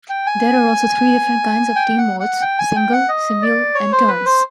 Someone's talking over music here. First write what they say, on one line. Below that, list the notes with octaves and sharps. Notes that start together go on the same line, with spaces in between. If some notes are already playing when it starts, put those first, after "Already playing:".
There are also three different kinds of Team modes: Single, Simul, and Turns.
G5
G#5
G5
F#5
F#5
G5
G#5
G5
F#5
D#5
D5
C#5
C5
B4
C5